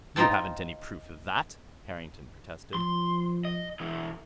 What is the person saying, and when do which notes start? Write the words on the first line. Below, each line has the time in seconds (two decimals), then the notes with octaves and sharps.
"You haven't any proof of that," Harrington protested.
0.16 D#4 F4 C5 G5 A5
2.75 F3 C6
3.45 D#5
3.80 B2 E3